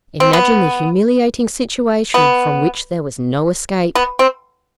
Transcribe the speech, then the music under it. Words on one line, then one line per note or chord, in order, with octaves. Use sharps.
Imagine the humiliating situation, from which there was no escape.
C4
B3
B3
B3
C4